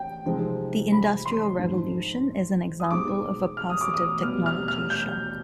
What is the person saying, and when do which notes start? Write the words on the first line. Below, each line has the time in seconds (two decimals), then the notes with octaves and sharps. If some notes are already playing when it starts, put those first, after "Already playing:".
The Industrial Revolution is an example of a positive technology shock.
Already playing: G5
0.26 C3 F3 G#3 C4 D#4
0.92 B5
1.26 C6
1.58 G#2 F3 C4 D#4
2.80 D#6
2.91 B2 G#3 C4 D#4 D6
3.57 F6
3.70 D#6
3.81 D6
3.94 D#6
4.23 B2 G3 B3 F6
4.46 F6
4.68 F6
4.90 G6